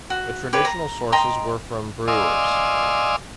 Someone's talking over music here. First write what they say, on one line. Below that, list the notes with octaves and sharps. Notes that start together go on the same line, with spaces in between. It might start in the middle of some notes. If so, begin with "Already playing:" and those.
The traditional sources were from brewers.
F#4
G4 B4 C#5
A#5
D#5 G5 A#5 C6
D5 D#5 F5 G#5 C6 E6